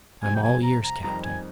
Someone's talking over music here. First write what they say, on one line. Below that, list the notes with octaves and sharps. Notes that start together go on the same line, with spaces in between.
"I'm all ears, captain."
F2 C3 G3 C4 G#5
G5
G#5
A#5
A#5
F2 D#3 G3 C4 D#4 A#5
G#5